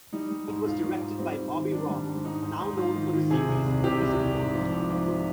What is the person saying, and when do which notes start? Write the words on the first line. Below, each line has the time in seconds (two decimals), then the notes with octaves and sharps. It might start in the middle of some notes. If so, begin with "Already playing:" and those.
It was directed by Bobby Roth, now known for the series "Prison Break".
0.13 G3 D#4
0.31 G3
0.48 G#2
0.66 G#2 F4
0.83 G3
1.01 G#2
1.19 G3 C4
1.36 G#2
1.54 D#3
1.72 D#3 D4
1.89 G3
2.07 G#2
2.24 G#2 D#4
2.43 G#2
2.60 G#2
2.78 G#2 F4
2.96 D#3
3.13 D#3
3.30 C3 G#4
3.49 C2
3.66 C2
3.84 C3 G4
4.01 C2
4.19 C2
4.37 G#2
4.54 F3
4.72 G#2
4.90 F3
5.08 F3